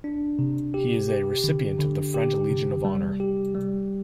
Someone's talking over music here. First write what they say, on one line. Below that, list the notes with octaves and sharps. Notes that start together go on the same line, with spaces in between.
He is a recipient of the French Legion of Honor.
D4
C3
G4
G4
D3
D3
G4
C3
G3
G4
G3